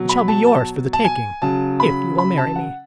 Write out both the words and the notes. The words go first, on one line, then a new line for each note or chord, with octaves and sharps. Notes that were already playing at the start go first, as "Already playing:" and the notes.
It shall be yours for the taking--if you will marry me.
Already playing: B2 F#3
B5
A5
A5
A5
G#5
C#3 F#3 A5
B5
B5
A5
F#5